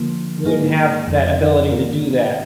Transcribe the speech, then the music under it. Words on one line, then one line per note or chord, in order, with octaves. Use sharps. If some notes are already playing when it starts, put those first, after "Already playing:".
You wouldn't have that ability to do that.
Already playing: D3 F3 A#3
G#2 F#3 A#3 D#4 G#4
F2 D3 F3
G#2 D#3 A#3 F4 A#4